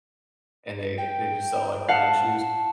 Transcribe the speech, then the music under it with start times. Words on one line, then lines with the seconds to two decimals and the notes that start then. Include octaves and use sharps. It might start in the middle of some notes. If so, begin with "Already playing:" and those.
and they they just sell, like, running shoes,
0.97 G5
1.88 F5 F#5 A5